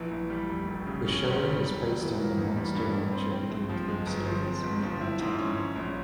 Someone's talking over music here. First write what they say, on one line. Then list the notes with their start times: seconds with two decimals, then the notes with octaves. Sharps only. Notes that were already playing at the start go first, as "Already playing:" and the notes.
The show is based on the "Monster Rancher" video game series made by Tecmo.
Already playing: A#1 E3
0.11 A#1
0.30 G3
0.49 F1
0.68 F1
0.87 C#3
1.06 C#4
1.25 G1
1.43 G3
1.62 E1
1.81 E1
2.00 E3
2.19 A#3
2.38 E2
2.56 G3
2.75 G2
2.93 G2
3.13 C4
3.32 C4
3.50 A#1
3.69 F3
3.88 G#3
4.07 G1
4.25 F3
4.45 C4
4.63 G1
4.82 F3
5.01 E4
5.20 G#2
5.39 C#4
5.57 C#4
5.76 A#1